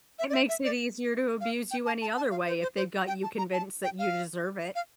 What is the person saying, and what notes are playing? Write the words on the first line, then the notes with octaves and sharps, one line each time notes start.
It makes it easier to abuse you any other way if they've got you convinced that you deserve it.
E5
D5
E5
E5
D5
F5
G5
A5
A5
A5
F5
C5
C5
C5
G5
A5
A#5
A5
G5
F5
F5